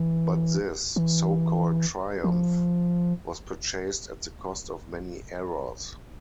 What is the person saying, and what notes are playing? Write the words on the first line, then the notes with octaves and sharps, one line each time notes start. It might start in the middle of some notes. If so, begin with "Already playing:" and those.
But this so-called triumph was purchased at the cost of many errors.
Already playing: E3
E3
F3